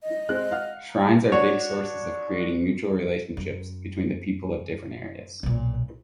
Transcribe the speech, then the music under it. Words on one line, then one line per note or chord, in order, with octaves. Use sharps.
Shrines are big sources of creating mutual relationships between the people of different areas.
D#5
G#3 C4 F#6
F5 F#5 F6
D4 F#4 C#5
F#2
B1 A#2